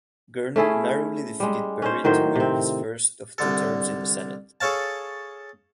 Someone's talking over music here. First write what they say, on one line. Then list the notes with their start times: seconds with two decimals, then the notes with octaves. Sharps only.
Gurney narrowly defeated Berry to win his first of two terms in the Senate.
0.56 A3 C#4 E4 G#4
1.40 G3 G#3
1.82 C#4 D#4 C5
2.04 A2 D#3 F#3 C5
2.36 C3 C4
3.38 C2 D3 A4
4.61 G#4 A4 C#5 F5 A5